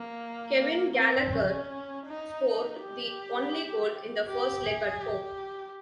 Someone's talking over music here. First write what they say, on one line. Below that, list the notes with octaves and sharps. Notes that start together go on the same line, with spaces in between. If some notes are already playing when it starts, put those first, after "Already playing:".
Kevin Gallacher scored the only goal in the first leg at home.
Already playing: A#3
A#3
C4
C#4
D#4
G4
G4
G#4
G4